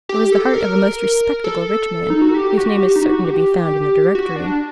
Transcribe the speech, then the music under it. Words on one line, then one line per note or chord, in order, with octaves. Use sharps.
It was the heart of a most respectable rich man, whose name is certain to be found in the Directory.
G4
A4
A#4
A4
D#4
F#4
G4
F#4
G4
D#4
F#4
G4
F#4
D4